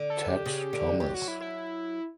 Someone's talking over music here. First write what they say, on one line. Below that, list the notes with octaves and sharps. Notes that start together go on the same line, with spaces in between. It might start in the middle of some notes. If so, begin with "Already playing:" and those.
Ted Thomas.
Already playing: D3
A4
G4
C#3
D3
F#3 G4
F#4
E4
E4